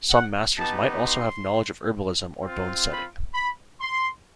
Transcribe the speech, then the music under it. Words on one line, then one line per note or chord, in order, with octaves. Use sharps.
Some masters might also have knowledge of herbalism or bone-setting.
F#5
B3 D#4 G4 A5
C6
C4 F4
B5
B5
C6